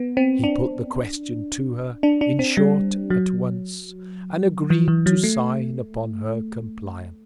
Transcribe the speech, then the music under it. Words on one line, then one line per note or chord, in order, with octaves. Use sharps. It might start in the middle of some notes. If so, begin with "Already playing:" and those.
He put the Question to her, in short, at once, and agreed to sign upon her Compliance.
Already playing: B3
C4
D4
D4
D4
C4
G3
F#3
E3
E3
F#3
A3